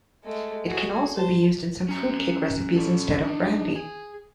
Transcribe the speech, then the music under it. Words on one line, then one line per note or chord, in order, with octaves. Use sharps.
It can also be used in some fruitcake recipes instead of brandy.
G#3 A3
F#4 G#4
C5 A5
C#4 A#5
C#4 A4
D4 D#4
G#4